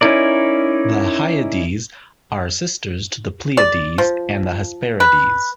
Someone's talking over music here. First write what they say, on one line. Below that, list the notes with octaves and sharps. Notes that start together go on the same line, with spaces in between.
The Hyades are sisters to the Pleiades and the Hesperides.
C#4 D#4 E4 A#4 D5
D5
F3
B4